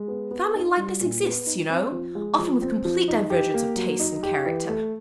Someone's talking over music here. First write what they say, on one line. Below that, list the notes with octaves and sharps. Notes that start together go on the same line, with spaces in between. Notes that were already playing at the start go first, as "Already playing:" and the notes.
'Family likenesses exist, you know--often with complete divergence of tastes and character.'
Already playing: G#3
B3
B3
D#4
G3
A#2
B3
D#4
C4
F3
G#3
F3
C4
F3
D#4
G4
A#3
F#3
D#4
G4
E3
A3